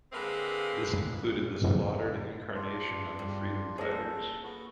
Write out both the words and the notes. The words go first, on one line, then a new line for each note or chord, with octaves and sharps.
This includes the slaughtered incarnation of the Freedom Fighters.
D3 G#3 A#3 C4 B4 F5
D4 F4
G2
A#3 G#4 A4
B3 F#4